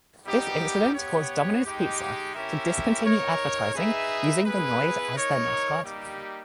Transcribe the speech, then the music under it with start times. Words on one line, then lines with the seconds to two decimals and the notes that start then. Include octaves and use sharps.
This incident caused Domino's Pizza to discontinue advertising using the Noid as their mascot.
0.25 G3 B3 D#4 G4
0.94 B3 G4 C#5
1.64 G#3 D#4 G4
2.35 C#4 E4 G4 A#4 E5
3.04 D#4 A#4 C#5
3.74 D#4 G#4 B4 E5
4.44 B3 E4 G#4 B4
5.14 D#4 A#4 C#5
5.83 G3 A#3 D#4 G4